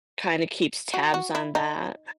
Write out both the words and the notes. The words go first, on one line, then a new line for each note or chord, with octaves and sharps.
kinda keeps tabs on that.
F#4
F#4
E4
D#4